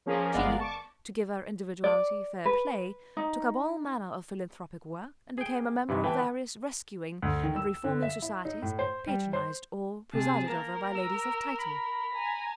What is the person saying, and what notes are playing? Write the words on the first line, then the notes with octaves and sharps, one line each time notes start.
She, to give her individuality fair play, took up all manner of philanthropic work and became a member of various rescuing and reforming societies patronized or presided over by ladies of title.
F3 A#3 C#4 G#4 A#4
G1 G#3 B3 A#4 D5 F5
A5 C#6 D6
D5
B4
D#4
G#4 G5
G2 C3 E3
E3 B4 G5 A5
D2
D#3
E6
D3
E5
E4
D#4
A2
C5
G3
C5
C3 G#4 A5
A#3 A#4
E6
B5
G#5 A#5